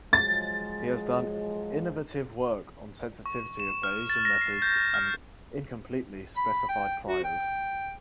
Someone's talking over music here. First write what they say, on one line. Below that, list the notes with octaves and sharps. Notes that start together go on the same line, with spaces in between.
He has done innovative work on sensitivity of Bayesian methods and incompletely specified priors.
F3 F#3 G#3 A6
C#6
E7
F6
A6
A#6
C7
G6
F6
B5
G5
F#4
G5